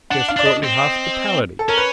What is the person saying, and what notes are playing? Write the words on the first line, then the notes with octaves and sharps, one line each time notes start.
His courtly hospitality?
D4 F#5
F5
D4 D5
D#5
C4
A4
C#4 A#4
B4